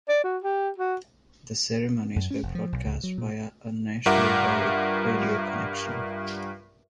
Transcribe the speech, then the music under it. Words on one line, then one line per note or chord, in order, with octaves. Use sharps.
The ceremonies were broadcast via a nationwide radio connection.
D5
F#4
G4
F#4
F#2
C#4
F1
F3
B1
C#2
F#3
A#2
G2 F4 A#4 E5 F#5 D6